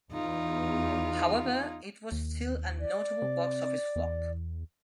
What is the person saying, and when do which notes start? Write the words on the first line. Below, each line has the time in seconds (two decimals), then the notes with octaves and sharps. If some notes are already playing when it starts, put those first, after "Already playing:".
However it was still a notable box office flop.
0.12 E2 D#4 F4
2.12 D#2
2.80 D5
3.22 C3
3.96 E2